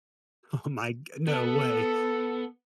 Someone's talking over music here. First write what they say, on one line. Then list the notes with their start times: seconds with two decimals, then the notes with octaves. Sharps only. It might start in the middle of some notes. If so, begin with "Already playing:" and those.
Oh my g no way.
1.27 B3 A4